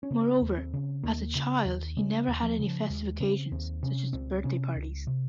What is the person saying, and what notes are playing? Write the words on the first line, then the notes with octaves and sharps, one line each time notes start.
Moreover, as a child, he never had any festive occasions, such as birthday parties.
C#4
C#3 C4
D#2
C4
C#3
D#2 A#3
C#3
D#2
C#3 G#3
D#2
F3
C#3
F3
D#2 G#3
C#3 C4
D#2 C4
C3 C#4
C#2 C4
C3 C#4
C#2
C3